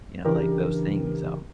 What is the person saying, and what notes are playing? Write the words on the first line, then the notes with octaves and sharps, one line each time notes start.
you know, like those things, um
C#3 E3 D4 G4 A#4